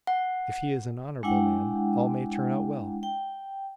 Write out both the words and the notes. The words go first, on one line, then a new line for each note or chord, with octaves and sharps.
If he is an honourable man, all may turn out well.
F#5
G#3 D4 E4 F#5 G5
G5